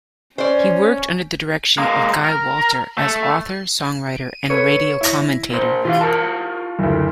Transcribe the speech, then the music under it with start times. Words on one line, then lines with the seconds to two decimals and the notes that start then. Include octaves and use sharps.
He worked under the direction of Guy Walter as author, songwriter and radio commentator.
0.38 C#4 C5 D5
1.78 G#3 A#3
2.25 A#4
2.98 A3
4.50 A4 B4 C#5
5.01 E4 A#6
5.50 A#2 C5
5.85 E3 F4 G4 F5
6.01 F4 F#4 A#4 A5
6.79 F#1 D2